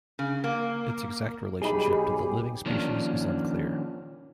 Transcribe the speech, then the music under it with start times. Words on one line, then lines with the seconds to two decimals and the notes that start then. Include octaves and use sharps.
Its exact relationship to the living species is unclear.
0.19 C#3
0.44 A#3
1.62 B1 G3 D#4 G4 G#4 B5
2.66 D#3 F3 A#3 C#4 D4